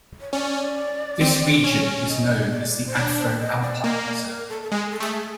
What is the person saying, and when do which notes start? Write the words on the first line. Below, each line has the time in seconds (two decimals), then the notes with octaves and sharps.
This region is known as the Afro-alpine zone.
0.21 C#5
0.32 C#4 D5
1.21 C4
1.64 C#4
2.08 D#5
2.52 D5
2.87 C5
2.95 D4 C#5
3.17 C5
3.40 D#5
3.62 D5
3.84 A#3 D#5
4.05 D5
4.28 A#4
4.49 A4
4.63 A4
4.71 G#3 G#4
4.91 A4
5.00 A3 G#4